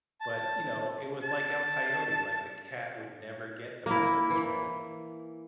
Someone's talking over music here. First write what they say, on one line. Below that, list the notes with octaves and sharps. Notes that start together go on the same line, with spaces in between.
but, you know, it was, like, El Coyote, like, the c cat would never get the mouse, right?
A5
A5
A#3 E4
E3